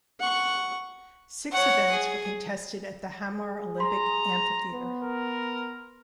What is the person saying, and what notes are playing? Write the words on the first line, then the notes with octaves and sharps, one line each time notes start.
Six events were contested at the Hamar Olympic Amphitheatre.
F#5 C#6
C#5 F#5
G#4
G#4
A#5 C6
B3
A#4